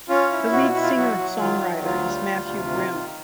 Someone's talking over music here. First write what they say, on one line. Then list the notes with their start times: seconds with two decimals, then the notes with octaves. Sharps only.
The lead singer-songwriter is Matthew Grimm.
0.09 C#4 F4
0.31 E4
0.53 B2 F#4
0.61 F4
0.68 F#4
0.74 E4
0.82 F4
0.96 F#3 F#4
1.19 F#3
1.40 D#3 F4
1.62 F#3
1.83 D2 F4
2.05 G3
2.27 D2
2.49 C3
2.71 D#3
2.93 D#3